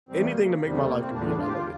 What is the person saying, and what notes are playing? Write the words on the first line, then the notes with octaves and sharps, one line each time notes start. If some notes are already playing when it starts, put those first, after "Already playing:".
anything to make my life convenient, I love it,
E2 C3 G3 C4
A3
A#3
A#3
E2 C3 G3
A3
A#3
C4
E2 D3 G3 D4
D4
F4
G4
F4